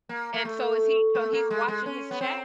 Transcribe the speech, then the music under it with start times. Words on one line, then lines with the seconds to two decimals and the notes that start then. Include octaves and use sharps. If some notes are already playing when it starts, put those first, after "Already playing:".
And so is he so, he's watching his chat
0.09 A#3
0.34 A#3
0.45 A3
1.15 A3
1.33 A#3
1.50 G#3
1.68 G#3
1.86 C#4
2.11 B3
2.21 C4